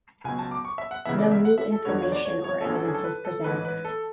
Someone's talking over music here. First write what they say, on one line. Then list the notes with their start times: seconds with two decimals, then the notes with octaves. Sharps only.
No new information or evidence is presented.
0.24 C#2 B2 F#3 G#5
0.39 A5
0.51 D6
0.65 C#6
0.78 E5
0.91 F#5
1.05 C#2 C#3 E3 B3 E5
1.19 D5
1.32 E5
1.45 F#5
1.58 E5
1.72 A4
1.85 E2 D3 G#3 B3 C#5
1.98 C#5
2.12 D5
2.25 C#5
2.44 C#5
2.61 A4
2.64 G#1 F#2 D3 F#3 G#4
2.75 A4
2.85 G#4
2.94 A4
3.04 B4
3.25 A4
3.44 A1 G#2 E3 G#3 B4
3.65 B4
3.85 A4